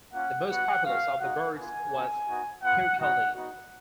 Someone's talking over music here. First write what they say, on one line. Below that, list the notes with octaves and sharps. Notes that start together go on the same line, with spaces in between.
The most populous of the burghs was Kirkcaldy.
A#3 C#4 F4 F#5
B3 F#4 F#5
G#3 C#4 F#4 F5
G#3 D#4 F#4 F#5
B3 F4 G#5
A#3 C#4 F#4
B3 D#4 F#4
B3 F4 F#5
B3 D#4 F#4 F#5
B3 D#4 F#4